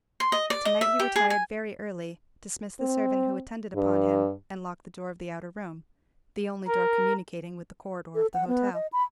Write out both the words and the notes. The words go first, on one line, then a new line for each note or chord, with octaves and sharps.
To-night he retired very early, dismissed the servant who attended upon him, and locked the door of the outer room, the only door communicating with the corridor of the hotel.
C6
D#5
D5
D#5
E5
G4
G#4
G#5
C4
G2
A#4
A4
F#5
B3
D#5
B5